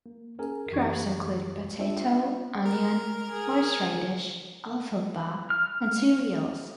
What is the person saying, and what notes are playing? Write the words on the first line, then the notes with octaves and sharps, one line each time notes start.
Crops include potato, onion, horseradish, alfalfa, and cereals.
A#3
C#4 G#4 A#4 G#5
F#2 E3 G4 C#6 G#6
C4 D4 F4 C5 E5
A#4
G#4
F6